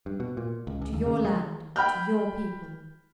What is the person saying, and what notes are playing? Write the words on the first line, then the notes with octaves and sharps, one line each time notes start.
To your land--to your people.
G2
B2
A#2
C#2
C#2
D#2
C#3
G#3
G5 B5 F6 G6